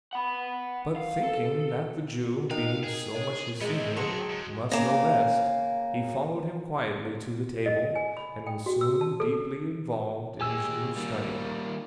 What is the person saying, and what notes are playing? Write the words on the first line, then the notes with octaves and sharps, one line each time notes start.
But, thinking that the Jew, being so much his senior, must know best, he followed him quietly to the table, and was soon deeply involved in his new study.
F#5 B5
F5
A4
D#4 A#4 F5 G5
G#4
A#4 C#5
C3 G#3 B3
D#3 F#3 C4 G#4 A5 C6 C#7
G#2
C#3 A#3
D#5
G#5
B5
G5
F#4
E6
A5
A4
A#3 G4 G#4 G#5 E6
D#3 G3 A#3